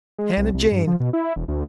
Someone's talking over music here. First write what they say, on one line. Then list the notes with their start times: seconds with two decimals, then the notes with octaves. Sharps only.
Hannah Jane!
0.18 G#3
0.37 C2
0.54 C2
0.72 G2
0.87 F3
1.00 B2
1.13 E4
1.36 E1
1.48 D2